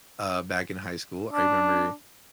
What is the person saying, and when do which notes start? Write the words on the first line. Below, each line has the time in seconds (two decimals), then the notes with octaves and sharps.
uh, back in high school, I remember,
1.33 D4